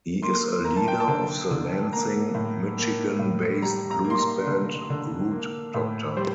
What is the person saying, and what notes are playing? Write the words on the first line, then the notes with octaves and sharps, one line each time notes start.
He is a leader of the Lansing, Michigan-based blues band, Root Doctor.
A#3 C6
A#3 A#5
A5
G5
A5
D3
D3
A#3 A#5
A2
A#3
A2
G3 A#5
A#5
A#3
C6
A#5
D3
D3
A#3
A2
G3 C5